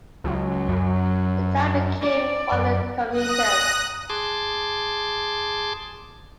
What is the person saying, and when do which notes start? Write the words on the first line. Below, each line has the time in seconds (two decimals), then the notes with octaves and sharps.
The town became one of commuters.
0.24 C#2 F#3
0.69 F#2
2.01 D5
2.52 F#2
3.11 D#6 F#6 A#6
4.10 G#4 A5 C6 D6